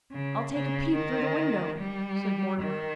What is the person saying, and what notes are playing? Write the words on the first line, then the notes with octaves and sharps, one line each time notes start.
'I'll take a peep through the window,' said Mortimer.
C#3
C#3
D#3
G3
D#3